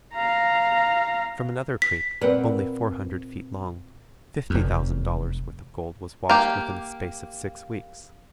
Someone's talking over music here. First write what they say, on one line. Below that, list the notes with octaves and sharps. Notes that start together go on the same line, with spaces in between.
From another creek, only four hundred feet long, fifty thousand dollars' worth of gold was washed within a space of six weeks.
F5 A#5
B6
A#2 C4 B4 F#5
F1 F2
A#3 G4